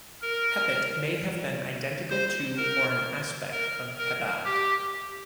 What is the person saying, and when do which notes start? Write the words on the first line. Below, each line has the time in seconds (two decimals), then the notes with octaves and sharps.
Hepit may have been identical to or an aspect of Hebat.
0.22 A#4
2.10 C5
2.57 A#4
3.52 A#4
3.98 A#4
4.45 G4